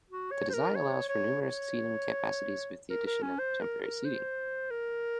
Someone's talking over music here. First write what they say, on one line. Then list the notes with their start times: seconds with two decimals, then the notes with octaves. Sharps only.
The design allows for numerous seating capacities with the addition of temporary seating.
0.10 F#4
0.32 C#5
0.50 C5
0.54 A#4
0.75 C#5
1.09 C#5
1.42 C#5
2.90 A#4
3.07 A#4
3.22 C#4
3.39 C5
3.61 A#4
3.83 A#4
4.05 C5
4.71 A#4